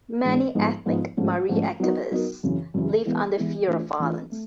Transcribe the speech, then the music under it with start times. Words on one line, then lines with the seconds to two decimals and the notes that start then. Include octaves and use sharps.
Many ethnic Mari activists live under fear of violence.
0.23 G#2 E3 G#3 B3 D4
0.55 G#2 F3 G#3 B3 D#4
0.86 G#2 F3 G#3 B3 D#4
1.17 G#2 F3 A3 C#4
1.49 G#2 F3 A3 C#4
1.80 F#3 B3 D#4 F#4 A#4
2.11 F#3 B3 D#4 F#4 A#4
2.43 F#2 C#3 E3
2.74 F#2 C#3 E3
3.05 E3 G#3 B3 E4
3.37 E3 G#3 B3 E4
3.68 E3 A3 D4 F4
4.00 E3 A3 D4 F4
4.32 A3